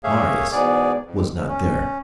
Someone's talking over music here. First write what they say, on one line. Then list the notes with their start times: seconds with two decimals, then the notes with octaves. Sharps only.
Marius was not there.
0.04 A3 A#3 G#4 C#5 E5 F5
0.52 E2 G#2 B2 B3 G#4 D5
1.06 F2
1.33 G#2
1.48 C#4